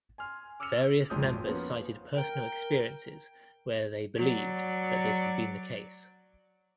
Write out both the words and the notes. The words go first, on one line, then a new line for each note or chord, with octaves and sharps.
Various members cited personal experiences where they believed that this had been the case.
G#5 C6 F6
D6 E6 F6 C#7 F7
G#1 F2 A#2 G#3 D#6 G6
F3 A#3 B3 C#4 F4
A#4 G5
F#3 D5